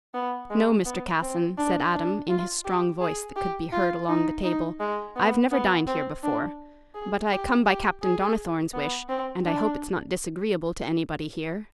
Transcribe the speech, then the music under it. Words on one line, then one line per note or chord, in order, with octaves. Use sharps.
"No, Mr. Casson," said Adam, in his strong voice, that could be heard along the table; "I've never dined here before, but I come by Captain Donnithorne's wish, and I hope it's not disagreeable to anybody here."
B3
G#3
B3
C4
D4
D4
F4
G4
G#4
G4
F4
D#4
D#4
G#3
B3
B3
C4
D4
G#4
G4
G4
G#4
B3
C4
D4